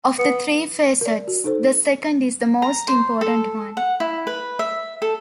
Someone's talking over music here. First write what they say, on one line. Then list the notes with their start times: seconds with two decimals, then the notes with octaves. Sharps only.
Of the three facets, the second is the most important one.
0.18 B3
1.01 A#4 D5
1.27 F#4
1.44 D#4 A4 C5
2.62 A#5
2.88 C5
3.21 A4
3.77 F#5
4.00 E4
4.27 B4
4.59 E5
5.02 A4